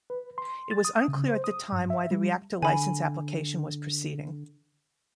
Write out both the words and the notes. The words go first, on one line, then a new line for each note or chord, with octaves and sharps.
It was unclear at the time why the reactor license application was proceeding.
B4
C6
A6
D#6
C#3
C5
D#6
G2
E5
G3
D3 G#5 B5